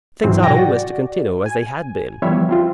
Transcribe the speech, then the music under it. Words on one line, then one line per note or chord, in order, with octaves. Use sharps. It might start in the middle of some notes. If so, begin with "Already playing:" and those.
Things ought always to continue as they had been.
G#2 E3 F#3 C4
B2 G5 G#5 A#6
F#4 D5
G#5
E3 F3 G3 B3 C#5 E5
F3 C4 F4